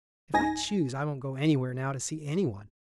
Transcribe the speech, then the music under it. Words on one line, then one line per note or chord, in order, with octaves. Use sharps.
If I choose, I won't go anywhere now to see any one.
C#2 G#2 D#4 G#5 A#6